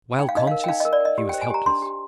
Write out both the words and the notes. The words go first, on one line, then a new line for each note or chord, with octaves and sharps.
While conscious, he was helpless.
D#4 G5
F5
D#4 D#5
A#4 F5
G5
D#4 F5
D#5
A#4
D5
A#4 D#5
G4
G5
C5
G#5
G4 A#5
D4 C6
G4